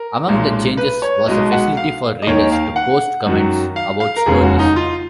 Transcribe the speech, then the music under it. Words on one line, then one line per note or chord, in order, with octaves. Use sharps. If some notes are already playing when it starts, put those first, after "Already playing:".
Among the changes was a facility for readers to post comments about stories.
Already playing: A#4
B1 A#2 G#3
B4
C#5
B1 B2 G#3 D#5
F#5
F5
D#5
D#2 D#3 A#3 C#5
F5
F#5
F#2 D#3 F#3
F5
F5
A#4
F1 D#2 C#3 G#3 G#4
F#4
D#4
F4